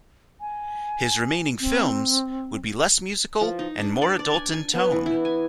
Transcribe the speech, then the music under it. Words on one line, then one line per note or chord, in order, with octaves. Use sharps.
His remaining films would be less musical and more adult in tone.
G#5
C4
F3
D#4
D4
D5
D5
G#5
G#5
B3
E3
E4
G#5